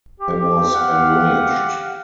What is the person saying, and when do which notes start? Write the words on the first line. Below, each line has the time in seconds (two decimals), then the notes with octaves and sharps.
I was enraged.
0.20 G4
0.74 F5 F#5